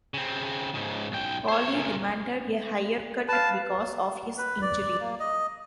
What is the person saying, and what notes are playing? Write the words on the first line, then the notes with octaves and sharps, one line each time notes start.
Paulie demanded a higher cut because of his injury.
C#3 C4
G#2 C#3
B1 G5
C5 C#5
C#2 A#2
B4 F5 A5
B4
D5
A#3
D#5